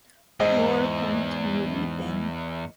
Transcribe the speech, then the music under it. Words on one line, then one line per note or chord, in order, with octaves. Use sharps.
Nor come to me weeping.
E2 G#2 D#5